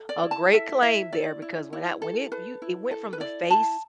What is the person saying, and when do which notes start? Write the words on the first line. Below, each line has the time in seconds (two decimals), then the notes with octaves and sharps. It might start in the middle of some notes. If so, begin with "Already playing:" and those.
a great claim there because when I when it you it went from the face
Already playing: A4
0.09 D5
0.23 E4
0.31 A5
0.53 A4 E5
0.83 E4 E5
1.13 E4 D5
1.42 E4
1.73 E4
2.02 A4
2.32 A4 B4
2.62 E4
2.91 A4
3.13 B4
3.20 E4 D5
3.50 E4 A5